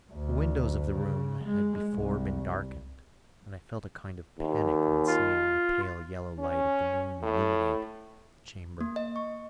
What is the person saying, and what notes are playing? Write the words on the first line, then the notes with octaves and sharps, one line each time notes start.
The windows of the room had before been darkened, and I felt a kind of panic on seeing the pale yellow light of the moon illuminate the chamber.
D2
C#3
G#3
C2
D#2
F4
C#4
A2
A#3
D#5
C#6